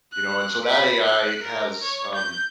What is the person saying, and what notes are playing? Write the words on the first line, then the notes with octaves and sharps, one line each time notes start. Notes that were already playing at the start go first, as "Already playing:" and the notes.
you know? And so, that AI has, um
F#6
B5
F#6
A#4
C#5
G6